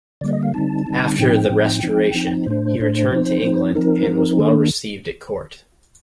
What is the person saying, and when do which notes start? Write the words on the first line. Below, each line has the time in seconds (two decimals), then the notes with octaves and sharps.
After the Restoration he returned to England, and was well received at court.
0.21 D3 G3 A#3 D5
0.33 D#5
0.43 F5
0.54 D3 G3 C4 D#4 A5
0.86 D3 G3 C4 D#4
1.18 A2 F3 C4 D#4 G5
1.50 A2 F3 C4 D#4
1.83 F3 C4 D#4
2.14 F3 C4 D#4
2.46 A2 A3 D4 C5
2.79 A2 A3 D4
3.11 F3 C4 D#4
3.43 F3 C4 D#4
3.75 F3 C4 D#4 A#4
4.07 F3 C4 D#4
4.39 D#3 A#3 D4 A4